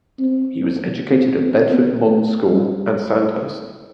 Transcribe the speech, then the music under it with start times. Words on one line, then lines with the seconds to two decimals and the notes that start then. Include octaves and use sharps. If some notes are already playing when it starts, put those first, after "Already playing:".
He was educated at Bedford Modern School and Sandhurst.
0.20 C4
1.12 C4
1.42 C4
1.72 B3
2.03 A3
2.49 G3